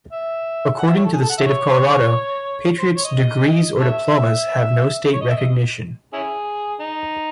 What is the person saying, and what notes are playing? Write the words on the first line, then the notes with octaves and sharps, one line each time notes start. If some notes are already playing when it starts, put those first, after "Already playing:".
According to the State of Colorado, Patriot's "degrees or diplomas have no state recognition".
E5
F#5
E5
C#5
A4
G#4
A4
F#5
E5
C#5
C5
C#5
D#5
A4 C#5 E5
C#5
D#5
E5
D#5
C#4 E4 G#4
D#4